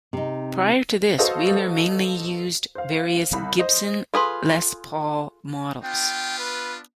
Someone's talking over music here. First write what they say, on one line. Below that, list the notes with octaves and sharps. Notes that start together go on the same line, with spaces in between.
Prior to this Wheeler mainly used various Gibson Les Paul models.
C3 D#4
F#4 A4 B4 C5 D#5 F5
C5 F5
C2 B5
C5 D#5
F4 G#4 A4 B4 C6
B3 D4 F4 G5
B4